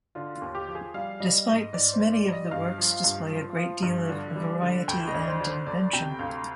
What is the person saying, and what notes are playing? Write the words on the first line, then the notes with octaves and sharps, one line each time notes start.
Despite this, many of the works display a great deal of variety and invention.
D3 F4
F4
D#2
G4
F3
G#4
G3 F5
G3 D#5
G#2 D#5
G#2 D5
C5
G#2
D5
G3
D#5
G2 F5
F3
G2
F3
F3
G2
D3
G3
D3
D2 G5
D#5
D2 D5
C5
D3
C5
D2 D5
C3 G5
D2 F5